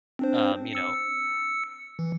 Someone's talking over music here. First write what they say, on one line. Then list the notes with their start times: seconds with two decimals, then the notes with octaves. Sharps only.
Um, you know.
0.19 C4 D4 C5
0.73 E6 C#7
1.99 E3